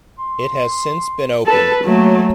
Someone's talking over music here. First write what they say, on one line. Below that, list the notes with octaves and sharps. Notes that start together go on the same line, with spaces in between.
It has since been opened.
C6
A4 B4 A5
F#3 A3 A#3